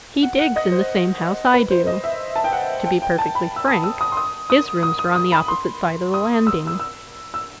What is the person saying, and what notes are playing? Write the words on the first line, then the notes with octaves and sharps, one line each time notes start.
He digs in the same house I do. To be perfectly frank, his rooms are on the opposite side of the landing.
F#5
F#5
D#5
C5
B4
C5
D#5
E5
A5
G5
F#5
G5
G5
A5
B5
E6
D#6
E6
D#6
C6
D#6
D#6
D#6
D#6
D#6
B5
C6
D#6
E6
E6
E6
E6